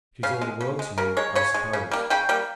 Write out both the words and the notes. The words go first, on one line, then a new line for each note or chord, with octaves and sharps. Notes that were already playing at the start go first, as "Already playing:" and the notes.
"She's all the world to you, I suppose?"
C#3 F5
G#3
C#3
G#3
C#3 A#4
G#3 C#5
C#3 C#5
G#3
C#3
G3 A#3
C#3 G5
G3 A#3